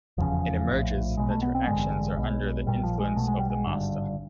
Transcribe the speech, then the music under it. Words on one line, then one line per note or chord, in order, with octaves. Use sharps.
It emerges that her actions are under the influence of the Master.
F1 E2 C#3 F3
A#1 A2
B1 B2 G#3
A3
B3
C4
A1 G2 D3 G#3
B1 B2
A#1 A#2 G3
F3
G#3
B1 B2 A3
G#3
G3
G#3
G#1 G2 D3